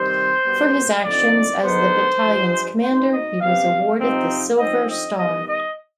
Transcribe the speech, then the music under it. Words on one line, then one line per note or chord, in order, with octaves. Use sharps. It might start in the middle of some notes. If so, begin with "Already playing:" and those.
For his actions as the battalion's commander he was awarded the Silver Star.
Already playing: C3 D#3 G3 C4 C5
B2 G3 B3 D4
D3 F3 C4 D#4 D5
D3 G#3 B3 D#4 C5
G2 F3 G#3
B2 G#3 C4 D#4 C5
D#5
C3 G3 B3 D4 F5
C3 F3 C4 D#4
D3 F3 C4 D#4 D#5
D#5
D#3 G3 B3 D#5
D#5